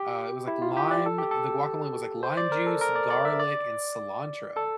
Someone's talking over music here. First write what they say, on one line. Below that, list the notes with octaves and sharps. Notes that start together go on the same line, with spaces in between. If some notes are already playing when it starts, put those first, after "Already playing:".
Uh, it was like lime The guacamole was like lime juice, garlic, and cilantro
Already playing: G4
E4
F4
G4
D5
A4
G4
A4
C5
D5
A#4
A4
A#4
D5
D5
E5
D5
A4